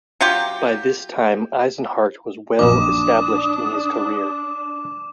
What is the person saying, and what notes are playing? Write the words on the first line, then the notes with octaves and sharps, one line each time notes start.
By this time Eisenhart was well established in his career.
F#3 F4 G4
A#1 F#2 D4 D#4 D6 D#6 E7